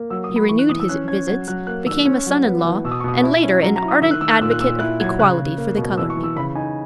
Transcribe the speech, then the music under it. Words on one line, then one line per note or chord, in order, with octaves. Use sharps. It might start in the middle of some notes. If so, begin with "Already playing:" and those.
He renewed his visits, became a son-in-law, and, later, an ardent advocate of equality for the colored people.
Already playing: A#3
F#3 E6
D#6
F#3
B5
E3 C#6
F#6
E3 D#6
E6
C#4 F#6
C#4 G#6
F#3 G#6
F#3 F#6
A#3 F#6
D#3 E6
C#4
F#3
B3
E3
B2 E6
D#6
C#6
B2 D#6
E4
C#4
F#3 A#5
A#5
E4
D#6
D#3 E6
F#6
D#3 E6
F#6
A#2 E6
F#6
A#2 E6
E4 F#6
F#3 G#6
C#3 F#6
C#3
A#3
B2
E3 E6
C#6
E3
E6
C#3 B5
D#4 G#5